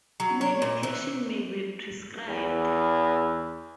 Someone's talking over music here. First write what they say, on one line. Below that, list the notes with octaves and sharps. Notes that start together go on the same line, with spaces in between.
Medication may be prescribed.
F#3
C#5
A#2
E3
E2